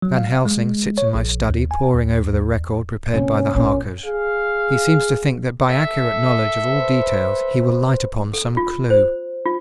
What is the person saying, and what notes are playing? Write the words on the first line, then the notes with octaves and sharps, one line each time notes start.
Van Helsing sits in my study poring over the record prepared by the Harkers; he seems to think that by accurate knowledge of all details he will light upon some clue.
F#3
F5
G#3
C#5
A#1
D#2
G#5
D#2
D#2
E2
C3 A#3 C#4
A#1 A#2 C#4
G#4 F5
A4 E5
B4 C5
A4
F4
C5
F4